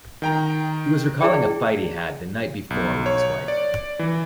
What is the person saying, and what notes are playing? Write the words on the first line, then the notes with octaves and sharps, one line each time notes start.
He was recalling a fight he had the night before with his wife.
D#3 G5 A#5
E4 G#4 D5 G5
B1
C#5
D5
E3